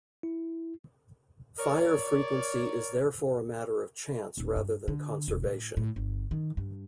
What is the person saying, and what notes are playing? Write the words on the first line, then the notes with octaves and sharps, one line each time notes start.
Fire frequency is therefore a matter of chance rather than conservation.
E4
A#4 C#5 D5
D#1
G2
D3
E1
A2
A2
G1
D#3
G2